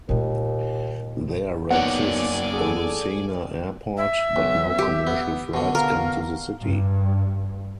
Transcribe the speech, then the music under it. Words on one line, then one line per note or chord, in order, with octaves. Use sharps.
There exists a Lucena Airport, but no commercial flights come to the city.
D#2 A#2 G#3
F#2 A#3 B3 D#4 C#5 D5 F#5 G#5
G#4 A4
E5
B1
G4
B3
B2 D3
A#4 F5
G2